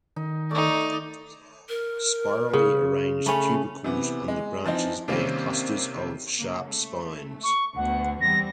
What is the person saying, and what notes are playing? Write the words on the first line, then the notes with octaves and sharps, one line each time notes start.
Spirally arranged tubercles on the branches bear clusters of sharp spines.
D#3 D#4
A3 D#4 D5
A#4
C#3
A3 C#4 B5
C3 E3 B3
G#3
E3 F3 C4 D#4
C3 D#3 G3 A#3 C4 C#4
C#3 A#3
A3
C#6
D2 B3 F#5
E2 G3 C4 A#6